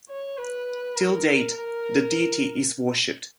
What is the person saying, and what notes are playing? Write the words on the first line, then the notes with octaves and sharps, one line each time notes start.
Till date the deity is worshipped.
C#5
B4
A#4
A#4